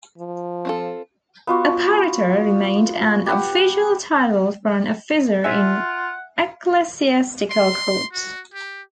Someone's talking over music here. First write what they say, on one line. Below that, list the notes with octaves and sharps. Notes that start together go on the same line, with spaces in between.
Apparitor remained an official title for an officer in ecclesiastical courts.
F3
C4 F4 A4
B3 F4 F#4
G4 B4 F#5
F4 E5 F#5 G#5
C6
F#4
G4